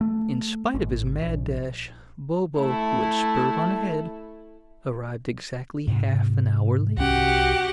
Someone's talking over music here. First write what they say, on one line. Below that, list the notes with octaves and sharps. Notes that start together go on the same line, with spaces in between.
In spite of his mad dash, Bobo, who had spurred on ahead, arrived exactly half an hour late.
A3
G#1
A#1
A3 E4
G#2 C3
C2 C#4 F#4 G4 F#5